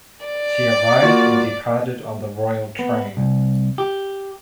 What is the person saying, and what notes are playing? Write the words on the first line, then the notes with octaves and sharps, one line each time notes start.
She arrived and departed on the Royal Train.
D5
A#3 F4 F#4
B3
C2
G4